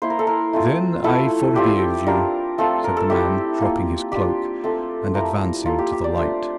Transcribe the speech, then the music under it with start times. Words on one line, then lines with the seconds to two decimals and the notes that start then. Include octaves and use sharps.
"Then I forgive you," said the man, dropping his cloak, and advancing to the light.
0.02 A#3 E4 C5
0.10 A#4
0.19 A4
0.27 A#4
0.53 A3 C4 F4
1.04 F3 A3 E4 A4
1.55 G3 C4 F4 G4
2.06 G3 D4 F4 A#4
2.58 F3 A3 C4 F4 A4
2.84 A#4
2.97 A4
3.10 A3 C4 E4 G4
3.61 A#3 F4
4.12 G3 D4 F4 G4
4.63 A3 C4 F4 A4
5.14 F3 A3 E4 A#4
5.66 A#3 F4 A4
5.79 G4
5.92 G4
6.04 D5
6.17 A3 D4 F4 C5